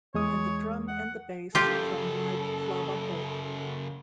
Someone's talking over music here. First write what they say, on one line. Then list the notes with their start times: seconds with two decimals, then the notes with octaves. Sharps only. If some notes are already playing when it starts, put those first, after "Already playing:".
And the drum and the bass from like Flabba Holt.
0.14 E2 G#3 C#5 D#6
0.88 F#5
1.55 F#2 C#3 F4 G4 A4